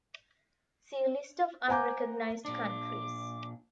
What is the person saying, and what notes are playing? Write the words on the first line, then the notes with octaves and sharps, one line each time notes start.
See list of unrecognized countries.
C5 F#5 G#5 A#5 D6 G6
A#2 D4 D6